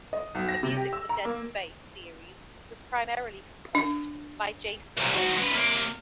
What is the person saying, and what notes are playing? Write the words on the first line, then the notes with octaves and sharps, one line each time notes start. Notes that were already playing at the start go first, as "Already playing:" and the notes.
The music for the "Dead Space" series was primarily composed by Jason Graves.
D#5
B1
A#6
C3
G4
E6
A#5
A#3
D4
C2 A#2
D#3 F#4
G#3 B4
C3 A#3